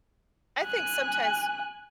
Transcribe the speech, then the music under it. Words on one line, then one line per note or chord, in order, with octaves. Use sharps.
I think sometimes
G#5 F#6